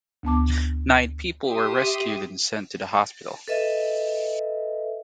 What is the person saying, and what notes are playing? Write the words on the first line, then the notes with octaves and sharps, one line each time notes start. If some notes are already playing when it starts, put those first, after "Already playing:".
Nine people were rescued and sent to the hospital.
D2 B3 A5 D6
G4 E5 C6 D#6
A4 B4 D#5 E5